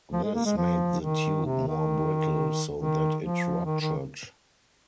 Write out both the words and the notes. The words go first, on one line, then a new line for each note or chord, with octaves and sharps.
This made the tube more brittle so that it ruptured.
F3
G#3
A#3
G#3
F3
D#3
C3
D#3
D#3
F3
D#3
D#3